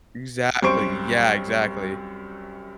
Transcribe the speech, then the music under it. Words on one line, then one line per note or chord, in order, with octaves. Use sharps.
Exactly, yeah, exactly.
C2 F#2 C5 C#6 D7